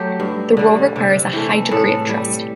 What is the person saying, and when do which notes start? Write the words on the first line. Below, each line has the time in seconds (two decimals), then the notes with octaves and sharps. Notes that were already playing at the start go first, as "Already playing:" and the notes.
The role requires a high degree of trust.
Already playing: F#3 A3 G4
0.20 G2
0.57 D3 G3
0.96 C3
1.33 E3 A3
1.71 A2 A4
2.09 G3